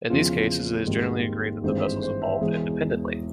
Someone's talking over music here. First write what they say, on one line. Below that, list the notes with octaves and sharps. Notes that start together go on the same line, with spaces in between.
In these cases, it is generally agreed that the vessels evolved independently.
E2 C#3 F3 G#3 F4
G#1 G#2 G3 A#3
G#1 G2 E3 G#3 C5
C5
C5
E5
E1 E2 E3 G#3 G#4